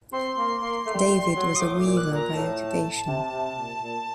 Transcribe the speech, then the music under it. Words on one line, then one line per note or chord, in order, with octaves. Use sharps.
David was a weaver by occupation.
C4 C6
A#3
A#3
A3
G3
A3
G3
F#3
D#6
A2 D6
D6
A#2
F#6
A#2
A#5
A2 A5
C3
C3
A#2
A#2